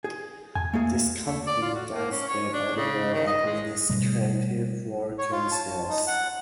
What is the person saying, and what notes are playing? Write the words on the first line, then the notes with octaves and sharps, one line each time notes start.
This company does the overall administrative work and sales.
G#4
E2 G#5
A3 A#3 G#4
A3
D5
F4
F#4
A#3
C#4
C#5
D4
C#3
D#3
D#5
G#3
B2 G3 A3
C#5
F4
A5
D#4
F#5